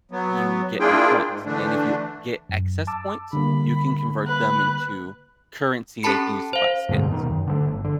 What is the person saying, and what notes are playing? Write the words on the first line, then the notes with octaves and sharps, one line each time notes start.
you get your points, and if you get excess points, you can convert them into currency that you can use to buy skins.
F#3 B3
A#3 D4 E4 F4 G#4 G5
G#2
D3 E3 A3 D4
F#2
A5 D6 E6
D3 G3 A#3 B5
B4 F#6
C#4 G4 A4 A5 B5 C#7
C5 F5
G2 B2 D3 G#3
D#2 B2 D#3
F#2
D3 F3 A3
G1
D3